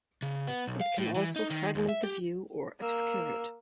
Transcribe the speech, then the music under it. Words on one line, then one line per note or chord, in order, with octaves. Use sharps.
It can also fragment the view or obscure it.
C#3
B3
B1
F5
A2
E3
D#4
D#3
D#2
E5
G4
A#3 E6